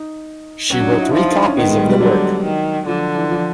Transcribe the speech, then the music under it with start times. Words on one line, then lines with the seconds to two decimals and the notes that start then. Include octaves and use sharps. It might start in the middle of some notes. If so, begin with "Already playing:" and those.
She wrote three copies of the work.
Already playing: D#4
0.70 F#3 C#4
0.80 D4
0.92 D#4
1.03 E4
1.13 F3 E4
1.24 D#4
1.35 D4
1.46 C#4
1.57 D#3 B3
1.68 G#3
1.79 G3
1.89 G3
2.00 D3 F#3
2.44 D#3
2.87 D3 F3
3.16 E3
3.31 F3